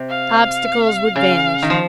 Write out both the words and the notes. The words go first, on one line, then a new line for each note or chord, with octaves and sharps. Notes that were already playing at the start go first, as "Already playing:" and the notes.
Obstacles would vanish.
Already playing: C3
F5
C#3 F5
D#3
F3